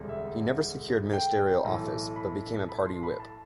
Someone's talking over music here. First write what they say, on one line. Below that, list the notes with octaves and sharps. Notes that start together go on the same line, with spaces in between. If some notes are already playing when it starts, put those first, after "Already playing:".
He never secured ministerial office, but became a party whip.
Already playing: E1 D2 C3 G3
E5
G5
G5
B1 A2 E3
B5
B5
C6
B5
A5